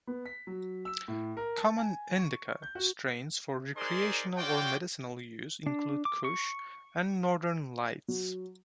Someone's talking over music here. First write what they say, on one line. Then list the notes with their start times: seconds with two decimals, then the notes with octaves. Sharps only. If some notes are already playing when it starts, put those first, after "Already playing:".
Common "indica" strains for recreational or medicinal use include Kush and Northern Lights.
0.07 B3
0.26 B6
0.47 F#3
0.85 E6
1.08 A2
1.37 A#4
1.58 A5
1.77 G#5
2.19 C#6
2.62 G6
2.75 F#4
3.77 D#4 G#4 A#4 C5 D5 C6
4.37 F4 F#4 C#5 D5 G5
5.66 D4
6.05 D6
6.24 C#6
8.08 F#3